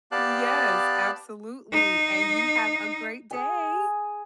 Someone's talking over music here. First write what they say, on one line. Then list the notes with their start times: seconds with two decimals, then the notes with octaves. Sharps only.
Yes, absolutely, and you have a great day!
0.12 B3 G4 D5 F5 A5 F#6
1.72 D#4
3.31 G#4 G#5